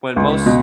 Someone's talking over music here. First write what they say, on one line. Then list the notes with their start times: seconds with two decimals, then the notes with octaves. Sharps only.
when most
0.16 C#2
0.46 B2